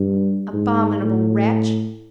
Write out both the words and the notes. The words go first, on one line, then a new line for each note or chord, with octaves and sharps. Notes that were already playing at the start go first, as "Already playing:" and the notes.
Abominable wretch!
Already playing: G2
G#2
A2